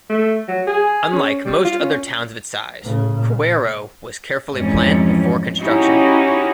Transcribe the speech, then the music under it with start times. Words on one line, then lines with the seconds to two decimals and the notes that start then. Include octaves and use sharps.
Unlike most other towns of its size, Kawerau was carefully planned before construction.
0.10 A3
0.48 F#3
0.67 G#4
1.13 C#4
1.45 G3
1.65 F4
1.79 C#4
2.81 A2 C#3
3.13 A#2
4.55 F2 G#2 E3 G3 C#4
5.58 C#4 D#4 E4 F#4 G4